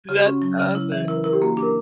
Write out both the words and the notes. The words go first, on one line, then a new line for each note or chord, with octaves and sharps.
That's awesome.
C#3 G4
C#4 F#4
F#3
C#3
E4
E3
E4 A#4
B4
E4 A#4
G4
A#3 F#4
G4
D4
A#4